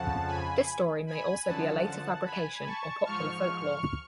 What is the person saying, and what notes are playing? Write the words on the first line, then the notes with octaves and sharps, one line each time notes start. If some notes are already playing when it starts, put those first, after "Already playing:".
This story may also be a later fabrication, or popular folklore.
Already playing: F2 C#3 F3 F#5 A5
G#5 B5
G#5 B5
F#2 D3 F3 F#5 A5
F#5 A5
G#5 B5
A5 C#6
G#2 F3 C#6 F6